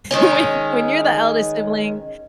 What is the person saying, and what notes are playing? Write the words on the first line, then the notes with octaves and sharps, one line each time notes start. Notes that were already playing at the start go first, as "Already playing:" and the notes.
When when you're the eldest sibling,
D#3 G#3 C#4